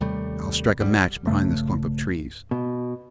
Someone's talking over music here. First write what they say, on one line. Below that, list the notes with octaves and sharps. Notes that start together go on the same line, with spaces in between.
I'll strike a match behind this clump of trees.
D#2 C3 G3 A3
D1 G#2 G3
A#1 G2 C#3 A3
B2